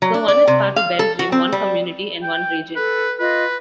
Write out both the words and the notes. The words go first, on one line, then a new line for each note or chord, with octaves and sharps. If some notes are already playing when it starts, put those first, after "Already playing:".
So one is part of Belgium, one Community, and one Region.
F#3
D4
D5
C3
F5
A4
F#4
C4
G3
G5
A4 B4
F4 B4 D#5